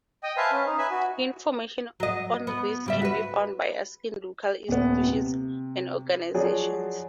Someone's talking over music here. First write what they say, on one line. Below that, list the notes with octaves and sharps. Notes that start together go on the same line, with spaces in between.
Information on these can be found by asking local institutions and organizations.
D#5 G5 D#6
B4 C5 E5 F5 G#5 A5
C#4
D#4
B4 E5 G#5 B5 E6
F#4
F#3 D#5
B3
C#3 G3 E5
F#4 B4
D#1 B3
C3
F3 F#3 F#4 G#4 D5